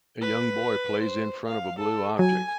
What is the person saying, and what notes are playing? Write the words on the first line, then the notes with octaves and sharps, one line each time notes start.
A young boy plays in front of a blue object.
B4
C5
F5
A4
F#3 G#5